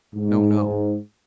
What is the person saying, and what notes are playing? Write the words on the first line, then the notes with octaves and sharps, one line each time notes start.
No, no.
G#2